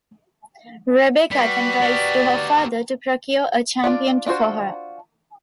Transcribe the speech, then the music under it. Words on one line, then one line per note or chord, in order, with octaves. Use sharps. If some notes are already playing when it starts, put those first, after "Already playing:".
Rebecca then writes to her father to procure a champion for her.
G3 F#4 B4 B6
G4 A#4 D5
D4 F4 D5
D4 F4 F#4 C5